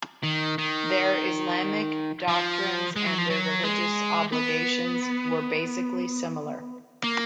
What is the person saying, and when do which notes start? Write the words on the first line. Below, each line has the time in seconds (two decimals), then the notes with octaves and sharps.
Their Islamic doctrines and their religious obligations were basically similar.
0.23 D#3
0.58 D#3
2.28 F3
2.96 G#3
3.07 F#3
3.18 F3
3.30 F#3
3.64 G#3
4.32 B3
7.04 A#3